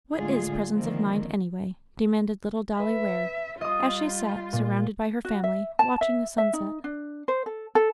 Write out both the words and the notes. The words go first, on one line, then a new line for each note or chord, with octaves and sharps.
"What is presence of mind, any way?" demanded little Dolly Ware, as she sat, surrounded by her family, watching the sunset.
A2 D3 G#3 F4 G#4
D3 D#3 F3 A#3 C4
B4 E5
G3 F4 D#5 D#6
A#2
F#4
E5
A5
E5
E5
D#4
D4
C5
A4
A4